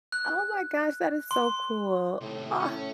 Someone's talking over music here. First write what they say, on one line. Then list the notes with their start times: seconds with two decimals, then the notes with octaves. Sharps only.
Oh my gosh, that is so cool. Ah,
0.12 F#6
1.31 C6
2.21 A2 C3 D#3
2.60 A2 C#4